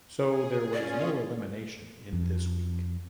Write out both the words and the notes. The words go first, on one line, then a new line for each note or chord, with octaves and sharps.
So there was no elimination in this week.
G#4
C#4 F4 G#4 D5
F2